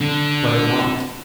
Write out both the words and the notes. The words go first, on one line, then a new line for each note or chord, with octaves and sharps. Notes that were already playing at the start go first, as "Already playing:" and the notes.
But it want.
D3